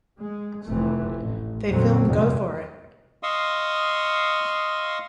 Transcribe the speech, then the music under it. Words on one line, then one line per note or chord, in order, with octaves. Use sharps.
They film Go for It!
G#3
F1 F2 E3 A3
A1
F2 A#2 D3 F#3 C4 C#4
F1 E2 G#2 C3 G3 G#3
D#5 F5 C6 C#6 D#6 E6